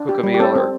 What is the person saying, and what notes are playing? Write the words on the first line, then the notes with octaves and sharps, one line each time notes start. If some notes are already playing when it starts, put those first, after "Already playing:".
cook a meal or
Already playing: D4
G4
G3
G4
C4 A4
C4